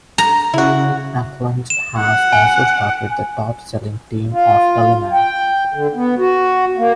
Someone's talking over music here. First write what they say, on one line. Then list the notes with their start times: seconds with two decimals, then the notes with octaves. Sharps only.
Eklund has also started the top-selling team at Elliman.
0.18 A#5
0.54 C#3 E4 F#4
1.70 E7
1.99 F#5
2.33 G#5
4.33 F4
5.13 G5
5.74 D3
5.95 B3
6.18 F#4
6.77 A#3